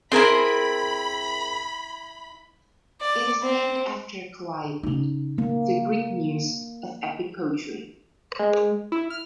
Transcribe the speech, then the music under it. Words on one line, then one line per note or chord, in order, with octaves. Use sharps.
It is named after Calliope, the Greek Muse of epic poetry.
C4 E4 G#4 A#4 B5 C6
D5
C4
C#3 D#4
A#3
G#3
E4
F6